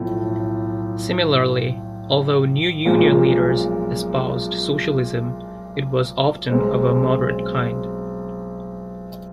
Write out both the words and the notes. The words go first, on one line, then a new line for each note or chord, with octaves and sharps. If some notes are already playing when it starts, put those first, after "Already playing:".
Similarly, although New Union leaders espoused socialism it was often of a moderate kind.
Already playing: B1 A2 F3 A3
B1 A#2 F3 G#3
B1 B2 G#3 C4